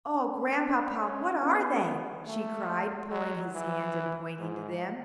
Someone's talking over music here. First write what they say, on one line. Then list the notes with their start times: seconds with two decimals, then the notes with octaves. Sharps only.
"Oh, Grandpapa, what are they?" she cried, pulling his hand and pointing to them.
0.13 C#4
0.57 D4
0.99 C#4
1.41 B3
2.27 A3
3.11 F#3
3.54 E3
4.39 G#2